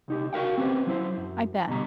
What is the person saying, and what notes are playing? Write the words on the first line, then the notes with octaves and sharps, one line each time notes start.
I bet.
C2 D#4 G4
F#4 G4 A#4 F5 G5
C4 C#4 G4 A4 B4 C5
F#3 E4 C5
F#2
C2 B2 D3 G3 A#5